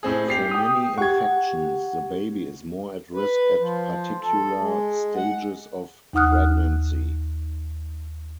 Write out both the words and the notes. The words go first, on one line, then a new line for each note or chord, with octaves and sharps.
For many infections, the baby is more at risk at particular stages of pregnancy.
A2 C4 G#4
G4 C7 F7
G5 D#6
G4 F#5 C#6 G#6
B4
F3
A4
G#3
F#5
D#2 D#4 F#5 D#6 F6 F#6